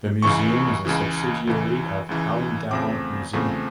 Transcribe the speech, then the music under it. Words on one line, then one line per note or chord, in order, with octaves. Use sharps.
The museum is a subsidiary of Hallingdal Museum.
C#2 C#3 E3 C#6
C#2 C#3 E3
C#2 C#3 E3
C#2 C#3 E3
E2 C#3 F3 A3 C4 D6
E2 C#3 F3 A3 C4